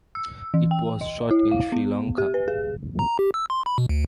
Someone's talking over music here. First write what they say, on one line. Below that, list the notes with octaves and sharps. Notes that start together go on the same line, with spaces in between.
It was shot in Sri Lanka.
E6
E3
G5
D#5
E4
F5
B3
G4
B4
G#4
A#5
G4
E6
C6
B5
B2
D2